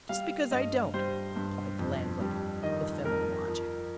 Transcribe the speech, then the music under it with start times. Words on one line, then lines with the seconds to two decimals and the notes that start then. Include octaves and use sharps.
"Just because I don't," replied the landlady, with feminine logic.
0.09 G3 F5
0.51 G2 D#5
0.94 G3 C5
1.36 G2
1.79 F2
2.21 G3
2.63 D#3 D#5
3.05 F2 A#4
3.47 F3